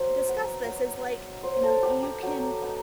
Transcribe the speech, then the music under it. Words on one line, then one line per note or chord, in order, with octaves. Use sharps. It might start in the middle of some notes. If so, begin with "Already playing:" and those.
discuss this is, like, you know, you can
Already playing: F#3 C5
B3 D#4
F#3
B3 D#4
F#3 C5
A4
B3 D#4 G4
G4
F#3
B3 D#4